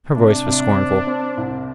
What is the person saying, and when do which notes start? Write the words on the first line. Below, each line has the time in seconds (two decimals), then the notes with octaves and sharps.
Her voice was scornful.
0.16 C3 D4
0.46 C3
0.76 C4
1.07 C4
1.37 C2